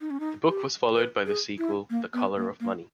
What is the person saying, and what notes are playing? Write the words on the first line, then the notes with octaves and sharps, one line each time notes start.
The book was followed by the sequel "The Color of Money".
D#4
C#4
D#4
G4
B4
G#4
E4
A#3
B3
A#3
A#3